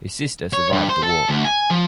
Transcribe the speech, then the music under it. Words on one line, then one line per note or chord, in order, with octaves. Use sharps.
His sister survived the war.
C#5
G2
C5
A4
D2
G#5
F3